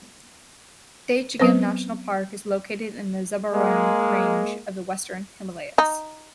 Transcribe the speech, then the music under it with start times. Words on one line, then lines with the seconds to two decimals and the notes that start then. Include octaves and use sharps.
Dachigam National park is located in the Zabarwan Range of the western Himalayas.
1.40 F#3 B3 C4 B4 C5
3.53 G#3 A#3
5.78 D#4